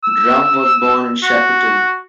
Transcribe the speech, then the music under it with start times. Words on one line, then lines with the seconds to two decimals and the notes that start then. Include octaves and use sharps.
Drum was born in Shepparton.
0.04 E6
1.23 F#4